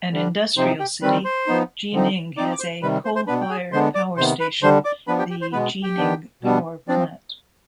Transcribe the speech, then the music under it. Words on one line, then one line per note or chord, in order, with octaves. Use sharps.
An industrial city, Jining has a coal-fired power station, the Jining Power Plant.
D3 G3 D4
C3 F3 C4 D#4 C5 C6
G4 G5
D#3 G3 C4 B4 B5
C5 C6
F3 B3 D#4
D3 F3 C4 D#4
F3 C4 D#4 D5 D6
D6
C5 C6
C3 D#3 G3 B4 B5
C5 C6
C5 C6
B2 B3 D4 B4 B5
G5
G#4 G#5
D3 G#3 B3 D4 C5 C6
D5 D6
C3 D#3 B3 C5 C6
B4 B5
D3 G3 D4 C5 C6
D5 D6
F3 B3 D4 B4 B5
G4 G5
G4 G5
C5 C6
B2 G#3 B3 B4 B5
G4 G5
D#3 B3 D4
B2 G3 B3 D4
F3 C4 D4 D5